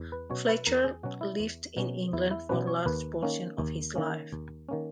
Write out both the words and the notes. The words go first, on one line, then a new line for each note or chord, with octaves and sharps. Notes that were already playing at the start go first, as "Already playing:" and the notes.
Fletcher lived in England for a large portion of his life.
Already playing: E2
B4
B2 F#3 C#4 C#5
B4
E2 A#4
G#4
B2 F#3 C#4 F#4
E4
E2
B2 F#3 C#4
E2 E4
E4
B2 F#3 C#4 B4
C#5
D#2 B4
D#3 A#3 C#4
D#2
D#3 A#3 C#4
D#2
D#3 A#3 C#4